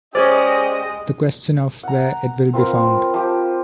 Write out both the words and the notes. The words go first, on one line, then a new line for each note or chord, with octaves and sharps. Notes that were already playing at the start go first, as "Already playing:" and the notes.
The question of where it will be found.
G#3 C#4 G4 G#4 C5 D5 D#5 D6
F#5 A#5
C4 F4 A#4 B4
F3 G4